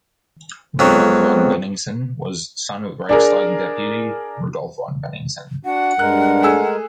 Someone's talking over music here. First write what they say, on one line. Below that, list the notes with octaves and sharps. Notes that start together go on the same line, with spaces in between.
Rudolf von Bennigsen was a son of the Reichstag deputy Rudolf von Bennigsen.
F2 F#3 G#3 B3 C4
D4 G#4 A#4
D4 F#4 F#5
G2 G#3 D4 A#4 F#6
A3 G#4 E6